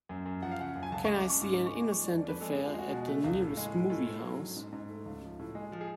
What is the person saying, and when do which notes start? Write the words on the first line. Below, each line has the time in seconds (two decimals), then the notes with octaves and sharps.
Can I see An Innocent Affair at the nearest movie house.
0.09 F#2
0.26 F#2
0.42 F3 F#5
0.51 F5
0.60 C#3 F#5
0.75 F#2
0.83 G#5
0.92 C#2 A5
1.05 C#6
1.09 G#3
1.17 D6
1.26 C#3 C#6
1.42 G#2 D6
1.54 D6
1.58 G#3
1.67 C#6
1.75 G#3 D6
1.92 F3 C#6
2.04 D5
2.08 F2
2.16 D5
2.25 F2 B4
2.41 G#3 A4
2.54 G#4
2.58 G#3
2.66 F4
2.74 G#3 F#4
2.91 B2
3.08 A3
3.24 C#2
3.41 A2
3.57 G#3
3.74 A2
3.90 A2 F4
4.07 A2
4.23 F#3
4.40 G#2
4.57 G#2
4.73 G#2
4.89 A3
5.06 C#2
5.22 F3
5.39 A2
5.55 G#3
5.72 F3
5.81 G#4